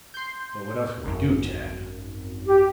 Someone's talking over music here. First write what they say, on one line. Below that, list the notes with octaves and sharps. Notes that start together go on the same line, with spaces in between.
"But, what else can we do, Tad?"
C6 G6
G#1 F#2
G4